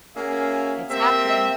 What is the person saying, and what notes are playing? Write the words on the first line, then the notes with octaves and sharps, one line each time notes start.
It's happening.
A#3 C#4 F#4 G#4 E5 F5
A#3 C4 G4 E5